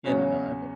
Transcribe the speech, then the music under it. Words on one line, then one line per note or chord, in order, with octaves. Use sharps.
Yeah, no, no, I've got
E2 C#3 F#3 C#4